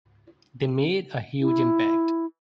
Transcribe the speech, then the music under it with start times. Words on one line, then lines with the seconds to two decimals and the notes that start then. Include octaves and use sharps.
They made a huge impact.
1.41 E4